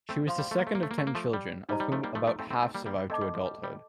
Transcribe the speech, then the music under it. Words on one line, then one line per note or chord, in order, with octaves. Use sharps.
She was the second of ten children, of whom about half survived to adulthood.
A3 C4
F3 C5 F5 C6
G3
A3
A#3
A3
A#3
A3
A#3
A3
A#3
F3 A3
G3
G3 D#4 G4 C5 D#5 A#5
G3
F3 A3
G3 A#3
F3 A3
F3 A3
A3 C4
A3 C4
A3 C4
G3 A#3
G3 A#3
G3
A3 C4 A4 D#5 A5 D6
G3
F3
G3
G3